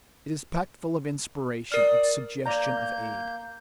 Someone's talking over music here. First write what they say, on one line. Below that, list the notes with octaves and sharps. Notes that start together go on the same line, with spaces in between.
It is packed full of inspiration, of suggestion, of aid.
A#4 D5 F6
A#3 D5 A#5 G6